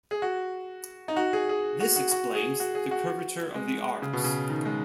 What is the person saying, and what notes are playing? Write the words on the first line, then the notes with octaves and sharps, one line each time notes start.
This explains the curvature of the arcs.
G#4
F#4
D#4
F#4
G#4
G#4
F#4
F#4
F#4
G#4
F#4
G#4
F#4
G#3
C#3
B2
C#3
D#3
G#3